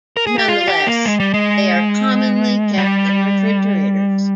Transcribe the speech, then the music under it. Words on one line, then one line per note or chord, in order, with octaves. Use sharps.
Nonetheless, they are commonly kept in refrigerators.
A#4
G#4
G4
F4
G4
A#3
G#3
G3
G#3
G3